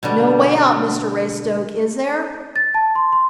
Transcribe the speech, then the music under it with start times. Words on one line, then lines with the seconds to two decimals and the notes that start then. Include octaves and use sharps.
"No way out, Mr Raystoke, is there?"
0.03 B2 D3 G3
2.56 A6
2.74 A5
2.95 C6
3.12 C6